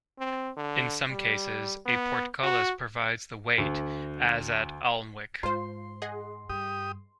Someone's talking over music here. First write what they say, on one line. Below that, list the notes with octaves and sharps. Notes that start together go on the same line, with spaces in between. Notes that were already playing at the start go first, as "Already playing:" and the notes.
In some cases, a portcullis provides the weight, as at Alnwick.
C4
D3
G3
B3
F#4
D2
G#2 F4 C5 C6
G#4 D#5 F#5
G2 G4 D#6